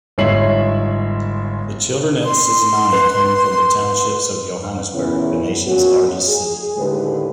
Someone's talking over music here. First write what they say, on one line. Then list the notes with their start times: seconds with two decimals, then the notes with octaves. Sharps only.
The children at Sizanani come from the townships of Johannesburg, the nation's largest city.
0.18 G1 G#2 C#5 E5 C7 F#7
2.25 C6
2.93 B4
4.93 E2 A#2 C#3 B3 C#4 E4
5.66 A#2 B3 C#4 F#4
6.28 G#4
6.77 D#2 A2 D3 G#3 G4 B4